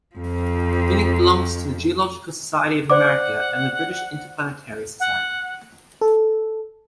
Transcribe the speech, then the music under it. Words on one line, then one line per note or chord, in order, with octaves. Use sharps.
Fincke belongs to the Geological Society of America and the British Interplanetary Society.
F2 F3
C5 D5 F#5 D6
F#5
A4